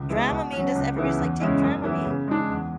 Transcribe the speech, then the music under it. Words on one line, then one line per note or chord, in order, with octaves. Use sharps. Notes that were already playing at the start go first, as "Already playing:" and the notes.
Dramamine does everybody's like, "Take Dramamine."
Already playing: C#2
B2 G#3 B3 E4
B2
F#3 C#4
C#2
C#3 E3 B3 E4
E2
C#3 G#3 C#4 E4
F#2
E3 B3 E4
C#3
G#3 D4
E2